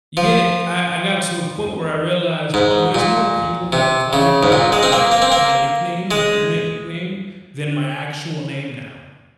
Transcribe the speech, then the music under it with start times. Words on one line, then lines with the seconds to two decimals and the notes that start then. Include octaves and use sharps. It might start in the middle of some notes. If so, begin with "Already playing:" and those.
Yeah. I I got to a point where I realized, oh, there's more people that call me by, like, my my nickname, my Internet nickname than my actual name now.
0.17 F3
2.54 G#2
2.95 A#2
3.72 C3
4.13 C#3
4.43 G#2
4.52 A#2
4.72 G#3
4.83 C4
4.92 A#3
5.12 A#3
5.22 C4
5.32 A#3
6.11 G#3